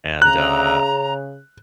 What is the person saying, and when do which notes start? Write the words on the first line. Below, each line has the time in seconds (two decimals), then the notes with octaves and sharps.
and, uh
0.22 C#3 A#5 F#6